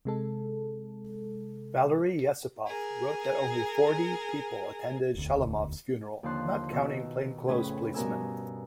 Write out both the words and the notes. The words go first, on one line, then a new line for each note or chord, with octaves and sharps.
Valery Yesipov wrote that only forty people attended Shalamov's funeral not counting plainclothes policemen.
C3 G#3 A4
G#4 A#4
E1 D2
D#2 D3 F3 A5 C6 F#6
B2 D#3 E6
F2 A2 C#3 C#4 G#4 B4
G2 B2 A#4 G#5 E6